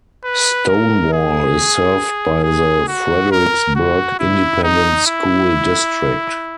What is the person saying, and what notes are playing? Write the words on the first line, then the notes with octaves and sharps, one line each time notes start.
Stonewall is served by the Fredericksburg Independent School District.
B4
A#4
G#4
G#4
F#4
A#4
F#4
E4
D#4
E4